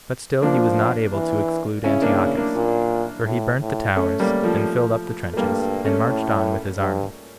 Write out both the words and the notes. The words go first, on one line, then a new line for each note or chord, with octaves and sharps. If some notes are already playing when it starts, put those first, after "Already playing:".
But still he was not able to exclude Antiochus, for he burnt the towers, and filled up the trenches, and marched on with his army.
F3 A#3 D4
E3
C#3 C#4 E4
A#3 D4
A#3 D4
A#2
A2
A2
A3 C#4
G3 A#3
F3 A3
A3
G2 G3 A#3
A3 C#4
A2
G2